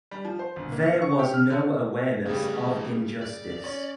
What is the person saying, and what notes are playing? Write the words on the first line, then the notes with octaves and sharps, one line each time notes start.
There was no awareness of injustice.
G3
F3
C5
G1
A#3
C#7
C#6
G4
F6
D3
C#3 G3 A3 B4
D5
C#4